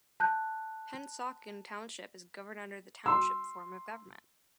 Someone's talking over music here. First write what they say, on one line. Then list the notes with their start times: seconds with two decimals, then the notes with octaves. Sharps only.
Pennsauken Township is governed under the Township form of government.
0.20 A5 F#6 G6
3.06 C6 E6